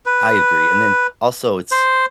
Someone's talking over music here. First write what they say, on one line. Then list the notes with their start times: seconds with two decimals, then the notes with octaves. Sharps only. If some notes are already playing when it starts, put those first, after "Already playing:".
I agree, and then, also, it's
0.06 B4
1.71 C5